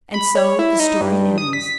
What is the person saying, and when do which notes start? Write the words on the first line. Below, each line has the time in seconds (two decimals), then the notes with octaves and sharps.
And so the story ends.
0.14 B5
0.35 C#5
0.59 E4
0.79 D#4
1.01 G2
1.38 D#6
1.53 B6